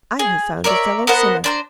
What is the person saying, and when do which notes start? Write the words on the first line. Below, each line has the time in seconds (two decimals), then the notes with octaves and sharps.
"I have found a fellow-sinner."
0.19 G#4
0.64 A#4 C#5 D5 E5
1.07 B3 A#4 C5 F#5
1.44 D4 C5 A#5